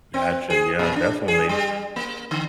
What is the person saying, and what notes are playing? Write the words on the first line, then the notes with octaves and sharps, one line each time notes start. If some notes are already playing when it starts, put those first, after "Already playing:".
Gotcha, yeah, definitely,
C4
G#4
A#2
D4
G#4
G3
A#3
D3